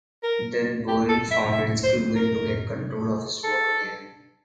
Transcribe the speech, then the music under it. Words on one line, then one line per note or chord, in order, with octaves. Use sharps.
Then Berne founded Screwgun to get control of his work again.
A#4
G4
A4
E5
E5
C5
A#4
A4